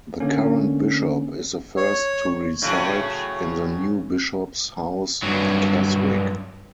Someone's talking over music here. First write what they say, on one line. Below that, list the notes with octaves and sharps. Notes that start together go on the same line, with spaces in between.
The current bishop is the first to reside in the new Bishop's House, Keswick.
D3 A#3 C#4
C#5
A2 C#3 F#3
G2 F#3